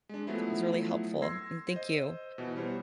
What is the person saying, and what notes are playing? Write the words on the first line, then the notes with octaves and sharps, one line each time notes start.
that was really helpful, and thank you
G#3 D4
F3 F#3 A3 B3 E4
C6 E6 G#6 A#6 C7
C5 D#5
B2 E3
G3 B3 C5 C#5